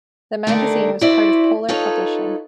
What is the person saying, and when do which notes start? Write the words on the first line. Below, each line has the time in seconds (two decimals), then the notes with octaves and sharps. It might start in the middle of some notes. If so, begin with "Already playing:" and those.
The magazine was part of Polar Publishing.
0.47 D3 D#3 G3 A3 D4 A#4
1.01 E4 F#4 C5 D5 E5
1.69 D#4 F4 A4 B4 C#5 D#5